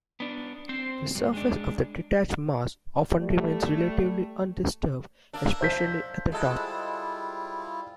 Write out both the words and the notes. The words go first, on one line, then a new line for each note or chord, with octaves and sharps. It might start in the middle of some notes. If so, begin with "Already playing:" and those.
The surface of the detached mass often remains relatively undisturbed, especially at the top.
B3 D4
C4 C5
G2
G#3 D4
G3 A3
A#3 D4 A4
C5 G6 B6
G3 G#3 E4 F4 A4